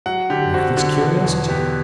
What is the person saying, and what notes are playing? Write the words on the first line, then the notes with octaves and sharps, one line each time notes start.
Why this curiosity?
F#3 F#5
D3 G4
C4 F#4
D3
B2
E2
B3 G4